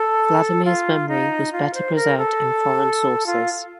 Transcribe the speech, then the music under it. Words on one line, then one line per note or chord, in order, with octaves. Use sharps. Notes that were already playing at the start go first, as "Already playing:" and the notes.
Vladimir's memory was better preserved in foreign sources.
Already playing: A4
F4
D#4
F4
C5
A#4
A4
F4